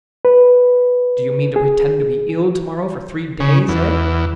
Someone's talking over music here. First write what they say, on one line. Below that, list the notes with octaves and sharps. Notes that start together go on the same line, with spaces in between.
"Do you mean to pretend to be ill to-morrow for three days, eh?"
B4
G#4
C#3
E2